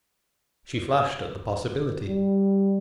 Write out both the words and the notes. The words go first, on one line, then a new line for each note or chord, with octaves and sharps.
She flushed at the possibility.
G3